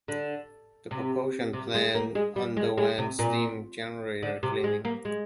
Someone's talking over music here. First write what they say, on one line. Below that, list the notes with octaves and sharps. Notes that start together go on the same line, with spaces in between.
The propulsion plant underwent steam generator cleaning.
D3
C3
C3
G#3
A#3
G#3
G3
G#3
G#3
C3
A#2
D3
C3
G#3
A#3
G#3